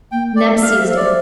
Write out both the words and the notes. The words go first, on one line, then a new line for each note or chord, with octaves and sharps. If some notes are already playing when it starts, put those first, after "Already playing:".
Neb seized it.
A#3 G5
A#3 D5
E5
A4 F5
C5 E5
C5 D5